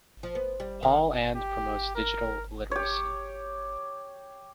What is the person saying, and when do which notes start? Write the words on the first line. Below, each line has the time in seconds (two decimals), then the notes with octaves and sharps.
Paul and promotes digital literacy.
0.23 F3
0.35 B3
0.60 G3
0.83 D#3
1.35 G4
1.95 A#4
2.71 G4 C#5